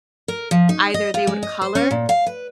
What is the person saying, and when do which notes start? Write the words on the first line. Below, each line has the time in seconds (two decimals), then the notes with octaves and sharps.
either they would color
0.28 A#4
0.51 F3
0.69 D#4
0.94 D#5
1.14 F4
1.27 G#3
1.43 D#5
1.62 C5
1.75 C#4
1.91 A#2
2.09 F5
2.26 B4